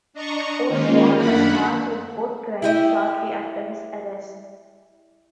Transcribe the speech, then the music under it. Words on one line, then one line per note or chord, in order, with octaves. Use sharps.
Oswald was charged with both crimes shortly after his arrest.
D4 D#5 A#5 C#6
D#3 G#3 A#3 C#4 D#4 F4
F#2 D#3 A#3 D4 F#5 B5
E4 G4 D#5